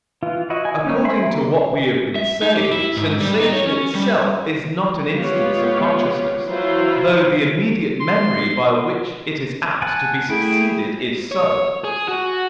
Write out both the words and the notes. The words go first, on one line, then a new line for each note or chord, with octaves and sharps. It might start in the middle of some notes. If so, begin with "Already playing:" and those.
According to what we have been saying, sensation itself is not an instance of consciousness, though the immediate memory by which it is apt to be succeeded is so.
E3 F4
E4 F#4 D#5
G#5
A#3 C#4 D#4
E5 G#5 B5 C6
A#3
E5
D#4
G4
E4
G#2
G3
D#4
C#5
C#4
G3
G#3 B3 F4 G4 C#5 F5
E3 F#3 E4 F4 C5
C6
F#5 G#5 A5
A3 E4 G#4 G5
C#5
G#4
F#4